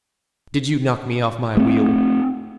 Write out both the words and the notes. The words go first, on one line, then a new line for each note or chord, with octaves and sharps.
"Did you knock me off my wheel?"
A3 C4